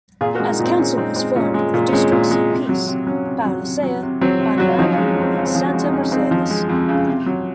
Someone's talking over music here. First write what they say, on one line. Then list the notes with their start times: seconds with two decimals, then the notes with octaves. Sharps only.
As council was formed with the districts of peace Pauliceia, Panorama and Santa Mercedes.
0.21 A#2 F4 G#4
0.35 F#4 A#4
0.40 G#3
0.49 D#4 F#4
0.59 A#2 C4
0.78 G#3 C#4
0.97 A#2 C4 D#4
1.16 G#3 C4
1.36 A#2 C#4
1.54 G#3
1.74 A#2
1.88 C#4
1.93 G#3 C4
2.12 A#2
2.31 G#3
2.50 C3
2.69 F#3
2.88 C3
3.07 F#3 C#4
3.26 C3
3.45 F#3
3.64 C3
3.83 F#3
4.02 C3
4.21 F#3 C4
4.40 C3
4.58 F#3 F#4
4.68 F4
4.79 F3 C4 D#4
4.93 C#4 F4
4.98 G#3
5.08 C#4
5.17 F2 C4
5.33 C#3 C#4
5.45 C4
5.55 F3 G#4
5.65 F#4
5.74 G#3 F4
5.83 D#4
5.93 F2 C#4
6.12 C#3 C4 D#4
6.31 F3
6.50 G#3
6.69 F2
6.89 C#3
7.07 C3
7.26 F#3